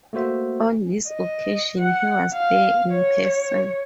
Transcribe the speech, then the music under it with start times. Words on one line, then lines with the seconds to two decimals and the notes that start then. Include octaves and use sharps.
On this occasion he was there in person.
0.13 A3 A#3 F#4 C5 E5
1.08 D#5
1.79 F#5
2.33 F5
2.92 C#5